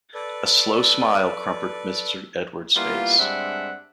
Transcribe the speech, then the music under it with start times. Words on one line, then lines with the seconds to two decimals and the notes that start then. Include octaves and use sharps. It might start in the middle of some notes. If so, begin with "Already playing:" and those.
A slow smile crumpled Mr. Edwards's face.
0.14 A4 B4 D5
2.76 G3 A#3 B3 E4 F4
3.19 G2 G#3 C4 D4 E5 F#5